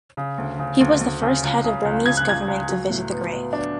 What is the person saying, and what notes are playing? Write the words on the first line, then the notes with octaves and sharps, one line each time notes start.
He was the first head of Burmese government to visit the grave.
C#3
D2
C#3
D2
D2
C#3
C#2
C#3
C#2
C#3 G#6
F#6
C#2 G#6
C#2
F#3
A2
B3
B3
D4